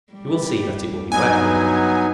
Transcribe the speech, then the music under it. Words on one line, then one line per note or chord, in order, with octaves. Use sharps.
You will see that it will be wet here!
G3
G2 F#3 B3 D#4 G#5